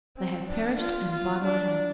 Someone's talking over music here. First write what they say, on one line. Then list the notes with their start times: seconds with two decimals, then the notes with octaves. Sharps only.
They have perished, and by my hand.
0.17 C4
0.49 D4
0.80 F4
1.12 F4
1.44 D4